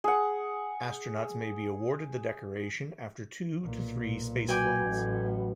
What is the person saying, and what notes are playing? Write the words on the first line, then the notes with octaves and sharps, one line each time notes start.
Astronauts may be awarded the decoration after two to three space flights.
G#4 F#5
B1 A#2
F#3 F#4 B4 D5 G5 G#5
A1 A2